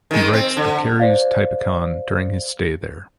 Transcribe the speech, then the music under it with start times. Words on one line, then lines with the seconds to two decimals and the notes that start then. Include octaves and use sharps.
He writes the Karyes Typicon during his stay there.
0.11 D#3 G#3
0.33 C4
0.57 D3
1.00 C5 D5 F5